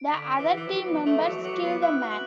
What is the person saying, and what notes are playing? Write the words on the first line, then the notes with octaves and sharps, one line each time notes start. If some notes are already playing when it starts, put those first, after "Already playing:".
The other team members kill the man.
Already playing: D7
D3 B6
E3 D6
E3
F#3 D6
B3
D6
A3
E3
F#3 D6
F#3
D6
B3
E4 F#6
F#4
F#7